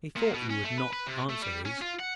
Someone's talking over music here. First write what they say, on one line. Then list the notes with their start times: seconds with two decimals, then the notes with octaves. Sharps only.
He thought you would not answer his.
0.16 A#2
0.34 B2
0.50 C#4
0.63 A3
0.78 B4
0.93 B4
1.07 C3
1.30 A3
1.42 G3
1.65 C#4
1.81 F4
1.99 F#5